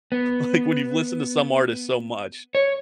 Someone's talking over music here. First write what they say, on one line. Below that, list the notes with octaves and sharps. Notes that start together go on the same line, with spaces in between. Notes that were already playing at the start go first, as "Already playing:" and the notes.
L like when you've listened to some artist so much,
B3
C#5